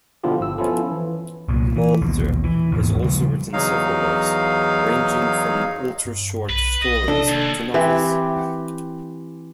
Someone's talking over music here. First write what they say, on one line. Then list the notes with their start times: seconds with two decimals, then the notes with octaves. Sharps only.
Mulder has also written several works, ranging from ultra-short stories to novels.
0.24 B2 D3 F3 E4 F4 G4
0.40 G1 E6
0.58 F3 B3 C#4 E4 F4 A4
0.92 E3
1.48 C2 A#2
1.76 E3
2.01 A#1 D#2 B2
2.44 E3
2.72 D#2 G#2 B2 E3
3.02 C#3 F3 G3
3.53 E2 F#3 D#4 F5
6.05 G2
6.49 B1 B4
6.81 B1 D#5
7.08 C3 D4 A4
7.28 D#2
7.74 E3 C4 G4